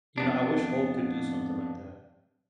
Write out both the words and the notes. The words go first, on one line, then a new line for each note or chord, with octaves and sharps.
You know, I wish Hulk could do something like that.
F2 B3 D4